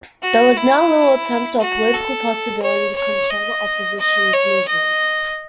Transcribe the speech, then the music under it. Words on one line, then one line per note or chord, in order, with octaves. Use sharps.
There was now little attempt or political possibility to control the opposition's movements.
F#4
E4
F#4
A4
C#5
C#5
D#5
D#5
C#5
D#5